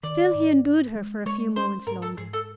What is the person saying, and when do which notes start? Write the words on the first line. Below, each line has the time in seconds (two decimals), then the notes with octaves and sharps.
Still he endured her for a few moments longer.
0.03 D#3 D5
0.35 G#2
0.64 C#4
0.95 G#3
1.26 G#3 C#5
1.56 C#4 C5
1.87 G#2 A#4
2.02 A4
2.18 G#2 G#4
2.33 A4